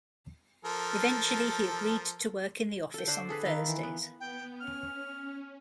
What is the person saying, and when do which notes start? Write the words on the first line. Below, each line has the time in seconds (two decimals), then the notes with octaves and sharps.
Eventually, he agreed to work in the office on Thursdays.
0.65 F3 A4 A#4
2.94 A4 G5
3.07 D3 C5 D5 F#5
3.29 G#4 A4 B4
3.45 D#3 A4 F5
3.68 E3
3.83 B3
4.20 B3 G5
4.60 C#4 F6